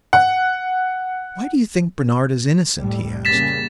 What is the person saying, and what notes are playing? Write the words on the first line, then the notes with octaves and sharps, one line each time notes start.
"Why do you think Bernard is innocent?" he asked.
F#5
F2 A2 G3
C#3 G3 A#3 A6 B6 E7